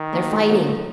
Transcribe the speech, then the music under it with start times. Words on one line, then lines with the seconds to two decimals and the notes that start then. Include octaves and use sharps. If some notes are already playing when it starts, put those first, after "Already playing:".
"They're fighting!"
Already playing: D#3
0.13 A#3 D4 F#4
0.31 A2
0.48 F#3 A#3 D#4
0.67 A2